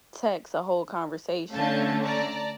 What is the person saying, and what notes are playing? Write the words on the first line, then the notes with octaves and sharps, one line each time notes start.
text a whole conversation
D3 A3 C#4 F5 A5 G6
D5 A5 A#5